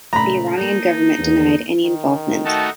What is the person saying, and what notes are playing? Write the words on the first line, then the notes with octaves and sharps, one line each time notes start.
The Iranian government denied any involvement.
A#2 C#3 A3 A#5 B5
A#3 D#4 A4
E2
D#3
A3 D#4 F#4 A5